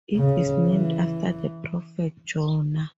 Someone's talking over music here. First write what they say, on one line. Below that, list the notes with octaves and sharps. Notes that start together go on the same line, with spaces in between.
It is named after the prophet Jonah.
C#3
E3